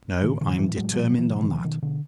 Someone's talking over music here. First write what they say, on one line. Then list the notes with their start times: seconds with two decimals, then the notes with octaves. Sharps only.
No: I'm determined on that.
0.23 A2 D#3
0.41 A2 D3 E3
0.58 A2 E3 F#3
0.76 A2 F#3 G#3
0.93 B2 F3 G3
1.08 B2 G3
1.18 E3 F#3
1.30 B2
1.41 D#3 F3
1.47 B2
1.64 B2 D#3
1.82 B2 D3